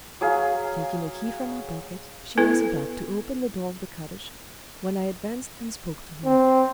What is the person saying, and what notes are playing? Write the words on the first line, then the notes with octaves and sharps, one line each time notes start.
Taking a key from her pocket, she was about to open the door of the cottage, when I advanced and spoke to her.
F#3 G#4 F5
B3 E4 A4 B4
C4